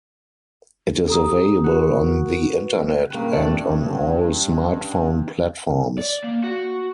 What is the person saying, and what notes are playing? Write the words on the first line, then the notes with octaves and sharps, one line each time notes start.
It is available on the Internet and on all smartphone platforms.
G4 A4 A#5 D#6
F#4 A#4
B4
G2 A#3 C#4 B4 G5
A3 D5
D5
A#3
F#4